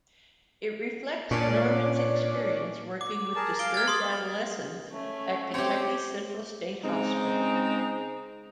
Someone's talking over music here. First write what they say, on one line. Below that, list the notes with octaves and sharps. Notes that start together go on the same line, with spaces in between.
It reflects Norman's experience working with disturbed adolescents at Kentucky's Central State Hospital.
A#2 C#4 D4 D5
D6
G#4 A#4 A5
F5 D7 G7
F6 G#6 A6
C6 D#6
A3 C#4
C4 G4 C#5
C#3 G#3 C4 D#4